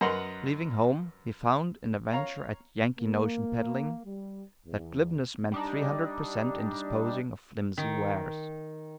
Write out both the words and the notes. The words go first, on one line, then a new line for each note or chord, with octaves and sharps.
Leaving home, he found, in a venture at "Yankee notion-pedling," that glibness meant three hundred per cent, in disposing of flimsy wares.
F#2 A#4 B4 D#5 F#5 C6
C#5 F5 A#5
A#3
G3
E2
G3 D4 D#4
D#3